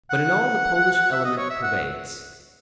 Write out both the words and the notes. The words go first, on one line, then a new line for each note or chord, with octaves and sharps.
But in all the Polish element pervades.
F#5
E5
D#5
C#5
E5
F#5